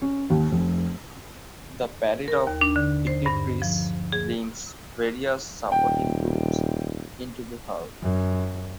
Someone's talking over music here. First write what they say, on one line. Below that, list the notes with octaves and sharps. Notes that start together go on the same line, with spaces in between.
The "Parade of Ignitaries" brings various supporting groups into the hall.
C#4
D#2
F1
A#4
D#2
D4
D3
C5
G2
F3
G#4
D#1 G5
F#2